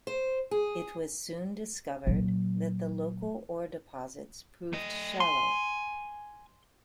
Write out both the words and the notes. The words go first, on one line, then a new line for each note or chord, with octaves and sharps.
It was soon discovered that the local ore deposits proved shallow.
C5
G#4
A#2 F#3
A3 D#5
G#5 C6